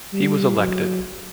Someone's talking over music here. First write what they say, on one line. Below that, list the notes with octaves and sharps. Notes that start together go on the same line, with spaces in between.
He was elected.
G3
F#3